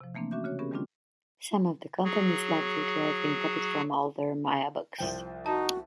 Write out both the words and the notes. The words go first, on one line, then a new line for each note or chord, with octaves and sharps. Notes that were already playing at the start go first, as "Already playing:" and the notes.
Some of the content is likely to have been copied from older Maya books.
C3 F3
E3 A3 A#3 C4 D4
C#4 F#4 E5 D6 G6
C#3 F#4 C#5
B3 C#4 G4 G#4 A#4
D#3 G3 A3 C4 D4 F4
F#3 F#4 G#4
C2 F3 G5
D#4 F#4 A5